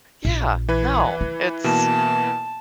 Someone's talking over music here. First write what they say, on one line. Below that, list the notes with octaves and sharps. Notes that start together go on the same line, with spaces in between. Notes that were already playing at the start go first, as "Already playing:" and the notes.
Yeah. No, it's
A#1
E3 B4 G#6
E4
B2 E3 A#3 A5